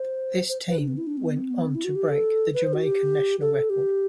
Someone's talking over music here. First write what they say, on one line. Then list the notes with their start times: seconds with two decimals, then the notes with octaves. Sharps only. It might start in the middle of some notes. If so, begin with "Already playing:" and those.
This team went on to break the Jamaican National Record.
Already playing: C5
0.49 C5
0.69 B4
0.79 D4
0.88 C4
0.97 E4
1.07 D4
1.18 C4
1.26 B3
1.37 C4
1.50 B3
1.66 C4
1.75 E4
1.85 F#4
1.96 G4
2.10 A4
2.54 B4
2.63 C5
2.73 F#4
2.83 G4
3.41 A4
3.70 G4